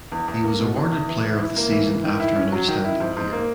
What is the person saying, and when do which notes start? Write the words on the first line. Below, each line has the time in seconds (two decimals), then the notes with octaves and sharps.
He was awarded player of the season after an outstanding year.
0.12 E2
0.28 E2
0.44 A#3
0.60 B2
0.76 E2
0.92 E2
1.08 E3
1.24 E3
1.40 E4
1.56 A#3
1.72 E3
1.88 E3
2.04 D#3
2.20 E4
2.36 C#4
2.52 F#3
2.68 D#3
2.84 E4
3.00 G#2
3.17 G#2
3.32 A#3